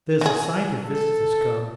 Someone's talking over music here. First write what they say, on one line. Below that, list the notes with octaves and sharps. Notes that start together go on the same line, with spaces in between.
There's a sight of visitors come.
E3 G#4
A4